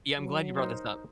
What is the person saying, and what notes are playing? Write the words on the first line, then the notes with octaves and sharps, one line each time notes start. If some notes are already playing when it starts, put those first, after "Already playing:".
Yeah, I'm glad you brought this up.
F#3
D#4 A#4 C5